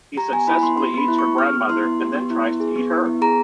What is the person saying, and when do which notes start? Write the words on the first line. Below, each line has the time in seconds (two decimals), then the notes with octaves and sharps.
He successfully eats her grandmother, and then tries to eat her.
0.17 G4 A#5
0.32 B3 G#5
0.48 E4 B5
0.63 B3 C6
0.78 G4 C6
0.94 B3 B5
1.08 E4
1.19 C#6
1.24 B3
1.38 G4 F6
1.54 B3
1.69 E4 C6
1.85 B3
2.00 G4
2.15 B3
2.30 E4
2.45 B3
2.60 G#4
2.76 B3
2.91 E4
3.06 B3
3.22 G#4 A#5